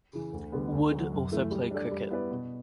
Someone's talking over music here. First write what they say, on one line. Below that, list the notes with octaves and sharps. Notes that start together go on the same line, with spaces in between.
Wood also played cricket.
C#3 E3
D2
D3 G3 B3
D2
D3 F#3
F#2
E3 A3 E4
G3
D4 A4 D5
G3
B3 E4 B4 D5
B2